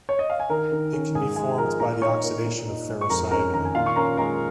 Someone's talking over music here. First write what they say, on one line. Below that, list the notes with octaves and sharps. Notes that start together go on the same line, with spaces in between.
It can be formed by the oxidation of ferrocyanide.
C#5
D#5
F5
G#5
D#3 A#4 A#5
D#3
C#4
G#2 G#4 G#5
G#3 G#4 G#5
F3 A#4 A#5
A#2 A#4 A#5
D#4 C#5 C#6
A#3
A#2
D#4
G#3
C#6
F2 A#4 A#5
C#4 A#4 A#5
D#3 A#4 A#5
G#5
A#2 F4 F5
C#6
C#4 A#4 A#5
G#3 A#4 A#5